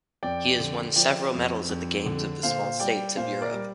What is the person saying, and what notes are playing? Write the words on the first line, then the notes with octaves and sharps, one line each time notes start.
He has won several medals at the Games of the Small States of Europe.
F2 D5 G5
D3
F3 D5 G5
F2
F2
D3
A#2 C5 F5
G3 D5 G5
A#2 C5 F5
A#4 D5
G3